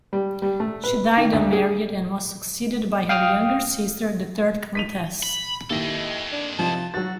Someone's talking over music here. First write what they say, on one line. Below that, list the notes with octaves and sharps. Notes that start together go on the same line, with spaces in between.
She died unmarried and was succeeded by her younger sister, the third Countess.
G3
G3
A3
B4
D#3
D2
G#4
F5 G5 D#6 F6
B6 D#7 F7
B5
D#2 E4 A4 D#5
D4
C2 F3 A5
F#3 F#4 A6